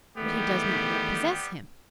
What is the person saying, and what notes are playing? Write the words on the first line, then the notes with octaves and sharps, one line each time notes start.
But he does not yet possess Him.
E2 D#3 G3 A3 B3 G4